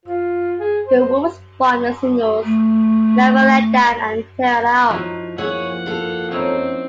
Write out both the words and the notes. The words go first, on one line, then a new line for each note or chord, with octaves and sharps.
"The Wolf" spawned the singles "Never Let Down" and "Tear It Up".
F4
G#4
C5
A3
F3 D#4 E4 F#4
F3 A#3 E4 G#4 C#5 F#5
F4 A4
C4 C#4 D#4 E4